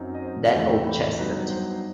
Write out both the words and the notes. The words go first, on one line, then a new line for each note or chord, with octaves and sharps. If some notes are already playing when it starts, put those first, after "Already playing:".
That old chestnut.
Already playing: F#2 F#3 C4 D#4
D#5
C5
E2 C3 E3 A3 C5 E5
E5 G5
G5 B5
G2 F#3 B3 D#4 B4 D#5
C5